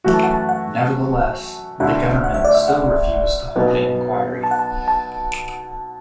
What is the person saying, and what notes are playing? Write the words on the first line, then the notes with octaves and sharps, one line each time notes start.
Nevertheless, the government still refused to hold an inquiry.
F#2 E3 A3 F#4
A5
F#5
A5
F#5
D2 D3 A3 E4 F#5
F#5
E5
D5
E5
F#5
B1 B2 B3
A5
F#5
A5
A5